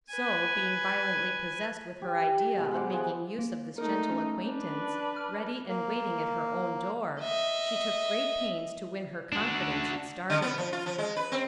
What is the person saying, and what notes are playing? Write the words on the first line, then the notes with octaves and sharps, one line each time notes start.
So, being violently possessed with her idea of making use of this gentle acquaintance, ready and waiting at her own door, she took great pains to win her confidence at starting.
B4 G#5
G4
B2 G#3 B5
G#3 C5 F#5 D6
E3 F3 G#3 G#4
A#3
A3 D#4 A#4
C#4
D4 B4
F6
A#3
D#5 E5
D4 F#4
D3
B3
F3
F4
F3
G#3
B4
C4